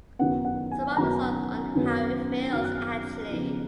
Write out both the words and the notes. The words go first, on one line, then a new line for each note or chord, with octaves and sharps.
Some of the songs on "How It Feels" actually.
F#2 D#3 F#3 B3 F#5
F#5
G#5
F#2 D#3 F#3 B3 A#5
F#2 D#3 F#3 B3
F#2 D#3 F#3 B3 F6
F#6
F6
C#3 F3 B3 D#4